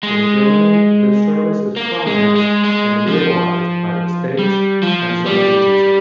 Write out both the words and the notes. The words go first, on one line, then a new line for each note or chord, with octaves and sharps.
In Germany this service is financed and realized by the states and some agencies.
G#3
A#3
G#3
G#3
G#3
F3
G3
F3
G3